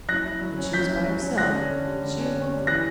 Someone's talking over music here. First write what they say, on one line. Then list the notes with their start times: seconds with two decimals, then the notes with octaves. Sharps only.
When she is by herself, she is one thing.
0.09 F#3 F#6 A#6
0.25 E4
0.41 F#3
0.58 C#4
0.73 F#3 G6 B6
0.89 E4
1.06 F#3
1.23 C#4
1.38 D3 F#6 A#6
1.55 C#4
1.71 D3
1.86 G3
2.03 D3
2.19 C#4
2.35 D3
2.52 G3
2.67 E3 F#6 A#6